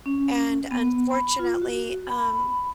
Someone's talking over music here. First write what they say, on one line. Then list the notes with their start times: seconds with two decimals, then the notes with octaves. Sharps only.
and, unfortunately, um,
0.06 C#4
0.71 B3
1.11 B5
1.39 F4
1.62 F#4
2.09 B5